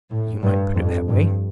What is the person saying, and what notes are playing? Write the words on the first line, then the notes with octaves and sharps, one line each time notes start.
"You might put it that way."
A2
G2
F2
G2